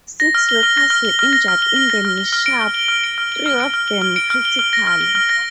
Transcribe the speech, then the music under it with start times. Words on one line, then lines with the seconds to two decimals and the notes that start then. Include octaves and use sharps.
Six workers were injured in the mishap, three of them critically.
0.20 A#6
0.35 F6
0.49 G7
0.63 F6
0.77 A#6
0.90 F6
1.05 G7
1.19 F6
1.33 A#6
1.48 F6
1.62 G7
1.76 F6
1.90 A#6
2.05 F6
2.18 G7
2.33 F6
2.46 D7
2.61 F6
2.74 G7
2.88 F6
3.04 D7
3.18 F6
3.32 G7
3.46 F6
3.60 D7
3.74 F6
3.88 G7
4.02 F6
4.16 D7
4.30 F6
4.45 G7
4.59 F6
4.73 A#6
4.87 F6
5.01 G7
5.15 F6
5.29 A#6